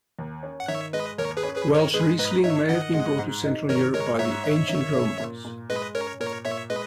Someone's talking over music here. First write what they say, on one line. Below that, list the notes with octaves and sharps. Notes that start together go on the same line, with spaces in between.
Welschriesling may have been brought to Central Europe by the ancient Romans.
D#2
C#4
F#5
D#3 C#5 E5
G#3 B4 D#5
D#2 A#4 C#5
G#4 B4
C#4
G#4 B4
D#3
A#4 C#5
G#3 G#4 B4
G#2 B4 D#5
D#4 C#5 E5
D#3 D#5 F#5
G#3
G#2
D#4
D#3 A#4 C#5
G#3 A#4 C#5
G#2 C#5 E5
D#4
D#3
C#4
A#2
A#2
G#3 B4 D#5
C#4 A#4 C#5
A#2 A#4 C#5
A#2 C#5 E5
G#3 B4 D#5